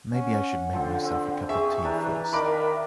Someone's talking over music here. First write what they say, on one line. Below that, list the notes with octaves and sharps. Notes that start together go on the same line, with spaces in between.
Maybe I should make myself a cup of tea first.
C#4 F#5
D3 F3 C4
C4
G#4 E5 C#6
E3 D4 G4 B4 A#5
D#3 D4 A#4 E5 F5 B5 D6